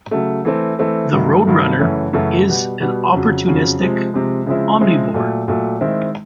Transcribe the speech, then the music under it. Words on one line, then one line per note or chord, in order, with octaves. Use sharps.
The roadrunner is an opportunistic omnivore.
C#3 F#3 A3
E3 A3 C4
E3 A3 C4
G2 D#3 F#3 A3
G2 D#3 F#3 A3
F#2 C#3 E3 A3 C#4
F#2 C#3 E3 A3 C#4
B2 G3 B3
B2 G3 B3
F2 C#3 F#3
F2 C#3 F#3
C3 F3 G#3
C3 F3 G#3
C#3 F3 G#3 C4 E4
C#3 F3 G#3 C4 E4
A#2 F#3 A3
A#2 F#3 A3
D#3 G#3 C4 E4